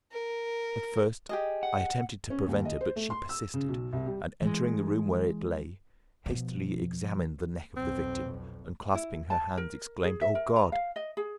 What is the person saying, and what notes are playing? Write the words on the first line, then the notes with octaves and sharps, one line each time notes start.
At first I attempted to prevent her but she persisted, and entering the room where it lay, hastily examined the neck of the victim, and clasping her hands exclaimed, 'O God!
A#4
G4 G#4 D#5
F#5
C#4
D#2
D#5
C5
A3
C6
E6
C#3
B1
C2
G3
E3 G#3
B2 F3
B1 F2 C4
E4
A5
A#4
G#4
E5
A#4
A#5
F5
D#5
G#4